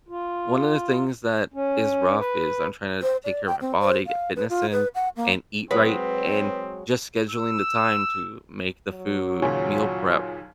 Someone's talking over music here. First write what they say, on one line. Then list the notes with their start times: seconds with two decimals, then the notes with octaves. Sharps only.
one of the things that is rough is I'm tryna take care of my body, get fitness in, and eat right, and just scheduling the time to make the food, meal prep
0.08 F4
1.54 C#4
2.18 B4
3.02 C5
3.24 D5
3.47 G5
3.61 C4
3.80 C5
4.06 F5
4.36 B4
4.49 F4
4.72 B4
4.95 F#5
5.16 A#3
5.71 F#3 G#3 C4 B4
7.30 E6
8.91 F#3
9.42 D#2 A#2 C#3 F4 C#5 G#5